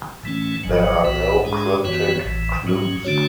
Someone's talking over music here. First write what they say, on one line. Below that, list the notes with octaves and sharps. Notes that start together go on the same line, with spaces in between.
There are no cryptic clues.
A2 E3 A3 C#4
G#1 G#2 F#3
B1 A2 E3 B3 F#4
G#2 G#3 D4 G#4
F#2 E3 B3 F#4 C#5
A1 A2 E3
G#2 F#3 C#4
D3 A3 D4 F#4 C#5